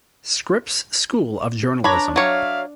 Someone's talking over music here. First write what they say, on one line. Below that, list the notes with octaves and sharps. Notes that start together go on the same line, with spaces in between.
Scripps School of Journalism.
D4 B4 C#5 D5 A#5 B5
F#3 C#5 D5 E5 F5